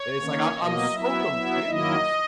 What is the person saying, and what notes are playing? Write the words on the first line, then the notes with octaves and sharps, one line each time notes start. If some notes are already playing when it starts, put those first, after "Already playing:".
It's like I'm I'm so confused.
Already playing: C#5
D#3 A#3 C#4
B2 F#3 A#3 D#5
F#3 B3 E4 E5
F#3 B3 E4
D#3 F#3 A#3 E4 D#5